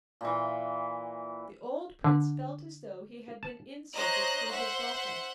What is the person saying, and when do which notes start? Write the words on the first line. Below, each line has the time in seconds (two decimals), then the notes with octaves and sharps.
The old prince felt as though he had been insulted through his daughter.
0.21 A#2 E3
2.04 D3
3.43 A5
3.93 C5 C#5 D#5 A#5 F#6
4.48 C5 E5 F#5